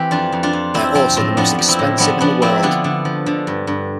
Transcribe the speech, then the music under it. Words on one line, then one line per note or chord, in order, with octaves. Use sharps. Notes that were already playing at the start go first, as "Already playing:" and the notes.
They are also the most expensive in the world.
Already playing: E3 C4 G4
F2 D4 F4
F2
D4 F4
F2
F3 C4 E4
F3 C4
A2 C4
F3 B3 D4
F3
C4 E4
A2
F3 B3 D4
F3 B3 D4
F3 C4 E4
D3 B3 D4
D3
F3
D3
G2
G2